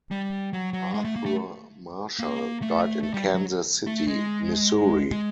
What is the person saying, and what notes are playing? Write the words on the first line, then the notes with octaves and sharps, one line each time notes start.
Arthur Marshall died in Kansas City, Missouri.
G3
F#3
F#3
G#3
A3
A#3
A3
A#3
A3
A3
G3
F#3
F#3
A3
G#3
G#3